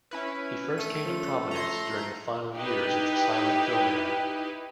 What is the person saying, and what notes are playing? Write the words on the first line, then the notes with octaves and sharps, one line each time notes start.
He first came to prominence during the final years of the silent film era.
C#4 E4 B4
A3 D#7
F3 C#4
A#5 C6
D#4 E4 G4 B4